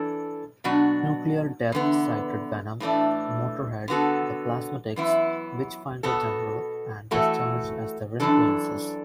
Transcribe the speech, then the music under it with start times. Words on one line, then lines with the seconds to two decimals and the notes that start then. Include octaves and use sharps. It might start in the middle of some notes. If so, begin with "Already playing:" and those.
Nuclear Death cited Venom, Motorhead, The Plasmatics, Witchfinder General, and Discharge as their influences.
Already playing: E3 D4 A4
0.64 B2 F#3 D4 F#4
1.72 E2 D3 B3
2.80 A2 E3 A3 D4
3.88 D3 B3 F#4 A4
4.96 F#2 E3 B3 E4
6.03 B2 B3 F#4 A4
7.11 E3 A3 F#4 A4
8.20 F#2 E3 D4 A4